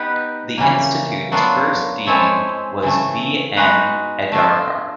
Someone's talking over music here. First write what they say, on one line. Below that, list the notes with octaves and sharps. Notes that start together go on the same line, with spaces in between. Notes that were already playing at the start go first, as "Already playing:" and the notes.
The Institute's first dean was V. N. Adarkar.
Already playing: B3 D#4 G4 B4
C#3 E3 G3 A#3
F#3 B3 D4 F4 A#4
G#3 C4 E4 A4 C#5
C#3 E3 A3
G#3 B3 D#4 F#4 B4
A3 D4 F4 A4